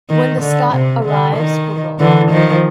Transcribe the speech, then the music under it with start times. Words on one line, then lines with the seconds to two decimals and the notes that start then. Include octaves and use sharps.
When the Scot arrives, Cpl.
0.10 D#3
0.42 D3
0.73 C3
1.05 D3
1.36 D#3
1.99 D3 E3
2.31 D#3 F3